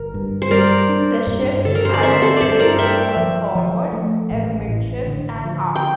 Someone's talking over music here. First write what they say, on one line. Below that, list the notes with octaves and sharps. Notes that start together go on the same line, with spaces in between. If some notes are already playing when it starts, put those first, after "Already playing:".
The ships had a freeboard of forward, amidships, and aft.
Already playing: G1 A#4
G2
C5
G3 A#4 D5
D4
G2
D3 A4
A#4
C5
D5
C4 C5 E5
A4 C5
G2 A4 C5 D5
A#4 D5
G2 E5 G5
F3
F3
A3
A1
A2
D3
F3
G5